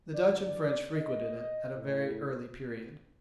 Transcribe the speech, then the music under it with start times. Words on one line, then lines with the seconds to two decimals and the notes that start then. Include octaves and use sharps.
The Dutch and French frequented it at a very early period.
0.14 G2 D3 D5
0.95 D#5
1.76 A2